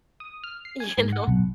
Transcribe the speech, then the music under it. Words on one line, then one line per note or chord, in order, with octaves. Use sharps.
you know.
D#6
F6
C7
G#5
G#2
F#5
B1